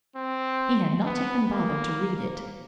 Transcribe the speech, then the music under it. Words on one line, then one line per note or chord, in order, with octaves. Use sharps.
He had not even bothered to read it.
C4
B3
A#3